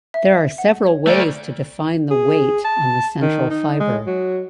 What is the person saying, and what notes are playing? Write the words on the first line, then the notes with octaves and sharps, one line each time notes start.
There are several ways to define the weight on the central fiber.
E5
F#5
C#5
A3 C5 D5
G#4
A5
D#3
D#4
G#3
F#3